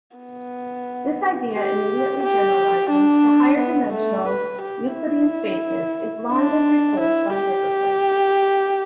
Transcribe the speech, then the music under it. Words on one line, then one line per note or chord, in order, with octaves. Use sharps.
This idea immediately generalizes to higher-dimensional Euclidean spaces if line is replaced by hyperplane.
B3
G4
G4
D4
B3
A3
B4
G4
E4
D4
E4
G4